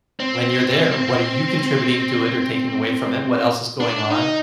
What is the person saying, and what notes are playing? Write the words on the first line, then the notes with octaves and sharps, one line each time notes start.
when you're there, what are you contributing to it or taking away from it, what else is going on,
C4
D4
D#4